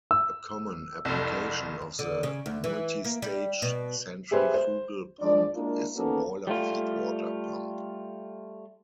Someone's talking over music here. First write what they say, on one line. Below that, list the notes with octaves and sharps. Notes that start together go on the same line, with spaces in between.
A common application of the multistage centrifugal pump is the boiler feedwater pump.
E6
F1 C2
D3
C#3
D2
E3
A#3
G3
B2
G4 G#4 B4 C5 E5
C5
F3 G#3 D4 D5
G#3 A#3 D4 E4 F4 A#4
A#3 B3 C#4 D#4 F#4 A4
G3 A3 F4